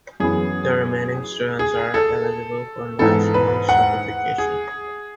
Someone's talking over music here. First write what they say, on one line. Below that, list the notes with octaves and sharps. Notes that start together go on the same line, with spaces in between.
The remaining students are eligible for national certification.
F#2 E3 B3 G#4
G#4
A4
G#2 E3 B3 E4 A4
B4
F#5
G#4